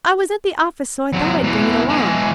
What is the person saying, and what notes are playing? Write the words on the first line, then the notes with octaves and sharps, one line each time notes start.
I was at the office, so I thought I'd bring it along.
C3 F#3
B2 E3
E3 G#3